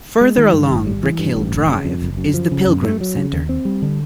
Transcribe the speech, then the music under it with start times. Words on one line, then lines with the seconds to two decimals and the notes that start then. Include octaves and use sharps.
Further along Brickhill Drive is The Pilgrim Centre.
0.21 G#3
0.38 D#3
0.53 G2
0.70 G#1
0.86 G3
1.03 E3
1.19 G2
1.36 A1
1.52 F#1
1.69 C#3
1.85 F2
2.02 F#1
2.17 F#2
2.34 F3
2.51 C#3
2.67 F#2
2.83 A3
3.01 F#3
3.16 C#3
3.33 D#2
3.49 C4
3.65 G3
3.82 D3